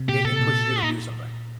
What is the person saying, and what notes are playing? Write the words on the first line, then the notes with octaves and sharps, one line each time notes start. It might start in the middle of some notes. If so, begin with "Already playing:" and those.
it it pushes you to do something.
Already playing: C3
A#2 G4
A#2 A4
C3
A#2
A#2 D#4